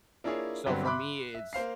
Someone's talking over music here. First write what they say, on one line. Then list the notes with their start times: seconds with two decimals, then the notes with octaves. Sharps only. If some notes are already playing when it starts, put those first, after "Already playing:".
So for me, it's
0.24 A#3 D4 E4 F4 G#4 C#5
0.66 G2 D3 F#3 G3 B3 C4
0.85 E5 B5 C6 D6 F#6
1.34 E5
1.53 A#3 C5 F5 C7